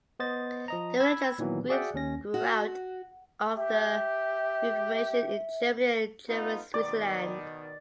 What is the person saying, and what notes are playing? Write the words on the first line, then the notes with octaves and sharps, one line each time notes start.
The religious groups grew out of the Reformation in Germany and German Switzerland.
B3 C5 D#5 A6
F3 D#5 A#5
B5 E6 G#6
A#2 D#3 E3 F#3 B3
F#4 G#4 D5 E5 F#5 G5
D#2 C#4 A#6
F#4
G4 E5
B3 D#4 F4
B2 D#3 D5